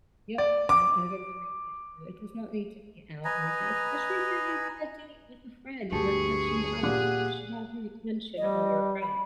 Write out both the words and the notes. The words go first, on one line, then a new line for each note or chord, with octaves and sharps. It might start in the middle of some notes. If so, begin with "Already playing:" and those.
Yep. I I agree with you. It does not need to be out like that, especially if you're having a date with a friend and you're catching up. You should have your attention on your friend.
D5
D6
B4 D#5 G#5 A#5
D2 G2 G4 G#4 A5 C#6
A#2 G4 F#5 D6
G3 D#5
B5